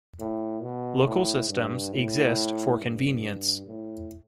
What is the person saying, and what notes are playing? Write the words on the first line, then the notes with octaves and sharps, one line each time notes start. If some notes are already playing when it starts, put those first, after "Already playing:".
Local systems exist for convenience.
A2
B2
A2
G2
A2
G2
A2